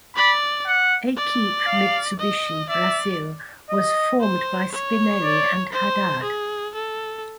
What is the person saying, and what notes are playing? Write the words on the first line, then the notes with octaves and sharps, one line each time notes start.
Equipe Mitsubishi Brasil was formed by Spinelli and Haddad.
D5 B5
F#5
D5
F5
D#5
D5 E5
D#5
C5
C#5
D5
C5
G#4
A4